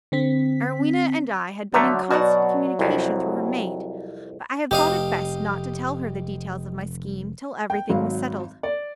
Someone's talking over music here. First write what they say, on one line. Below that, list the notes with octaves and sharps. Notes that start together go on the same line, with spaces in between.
Arowhena and I had been in constant communication through her maid, but I had thought it best not to tell her the details of my scheme till everything was settled.
D3 C4 B6
D3 F3 F#3 A3 E5 A#5
B2 F#4 D5 F#5
C2 F2
F1 G4 D#5 F5
G5
G#1 F#3 F5
D5